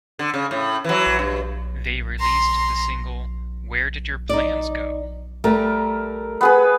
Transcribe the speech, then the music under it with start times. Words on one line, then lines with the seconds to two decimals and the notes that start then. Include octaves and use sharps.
They released the single Where Did Your Plans Go?
0.19 D3
0.34 C#3
0.51 A2
0.84 E3 F#3
1.19 G2
2.19 A#5 C6
4.29 D#4 D5
5.44 G3 A3 A#4
6.41 B3 G#4 B4